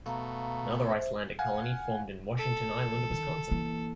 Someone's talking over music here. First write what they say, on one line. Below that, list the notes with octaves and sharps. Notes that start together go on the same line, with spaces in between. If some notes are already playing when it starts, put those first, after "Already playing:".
Another Icelandic colony formed in Washington Island, Wisconsin.
B2 A3 F5 A#5
C5 E5
F5 F#5 G#5
A4
D#3
E3 A#3